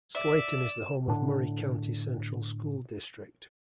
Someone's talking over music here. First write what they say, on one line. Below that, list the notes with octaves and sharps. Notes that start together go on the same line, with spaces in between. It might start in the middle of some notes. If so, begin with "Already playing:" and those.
Slayton is the home of Murray County Central School District.
D5 E5 E7
A2 D3 D4